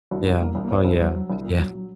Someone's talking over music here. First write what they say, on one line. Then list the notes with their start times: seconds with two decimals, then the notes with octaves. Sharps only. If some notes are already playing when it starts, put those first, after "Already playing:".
Yeah. Oh, yeah. Yeah.
0.11 C2 F#4
0.26 C2
0.41 C2 A#3
0.55 C2
0.65 A#3
0.70 C2 C4
0.85 C2
1.00 F#3
1.14 F#3
1.30 C2
1.44 A#2
1.59 F#3
1.73 F#3